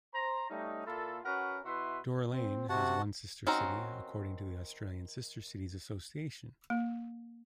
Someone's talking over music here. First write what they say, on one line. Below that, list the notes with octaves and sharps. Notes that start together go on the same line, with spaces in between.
Deloraine has one sister city, according to the Australian Sister Cities Association.
C5 A#5
G3 A3 C#4 D#4
A#2 A#3 E4 F4 A4
C#4 F#4 A#4 B4 F#5
B2 E4 F#4 B4 E5 C6
C4
C3 F#4 F#5 A5
D#3 C4 C#4 F#4 A#5
A#3